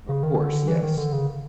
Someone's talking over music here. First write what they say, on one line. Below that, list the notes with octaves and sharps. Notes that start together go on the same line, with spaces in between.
Of course, yes.
C#3
D#3
D3
E3
D#3
D3
C#3